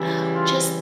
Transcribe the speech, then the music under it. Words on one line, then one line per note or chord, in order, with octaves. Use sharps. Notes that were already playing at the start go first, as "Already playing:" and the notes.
Oh, just
Already playing: C#3 E3 G3
F4